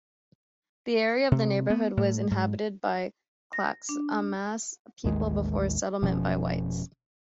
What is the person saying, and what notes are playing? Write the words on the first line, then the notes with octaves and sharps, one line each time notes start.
The area of the neighborhood was inhabited by Clackamas people before settlement by whites.
C3
B3
A2
G#2
A#6
D4
A1 D#2 D#3 G#3
F1 B2 F3 C#4